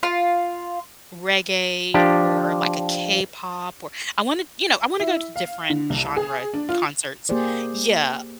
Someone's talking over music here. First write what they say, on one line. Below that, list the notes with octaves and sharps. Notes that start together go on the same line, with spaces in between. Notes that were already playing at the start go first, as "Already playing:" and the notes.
reggae or, like, a K-pop or I wanna you know, I wanna go to different genre concerts Yeah.
F4
F3 D4 G4
E4
F5
D3
C2
G#4
D4
F4
A#3 G4 G#4 C5 D5